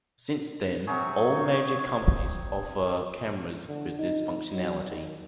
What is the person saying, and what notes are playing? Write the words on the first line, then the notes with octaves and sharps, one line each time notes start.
Since then all major companies offer cameras with this functionality.
C3 F#3 G#4 C#6
D3
D#4
F#3
D#3